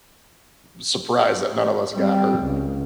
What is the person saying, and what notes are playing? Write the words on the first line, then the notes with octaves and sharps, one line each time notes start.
surprise that none of us got hurt
G3 C4
C#2